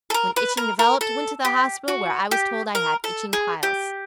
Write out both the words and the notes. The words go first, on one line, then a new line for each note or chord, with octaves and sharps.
When itching developed, went to the hospital, where I was told I had itching piles.
A4
A#4
B4
A#4
A#4
A4
G4
F#4
G4
A#4
A4
G#4
G4